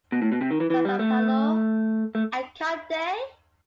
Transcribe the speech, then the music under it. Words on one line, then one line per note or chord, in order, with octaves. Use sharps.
Zambapalo: And can't they?
B2
A2
B2
C3
D#3
E3
E3
G3
A3
A3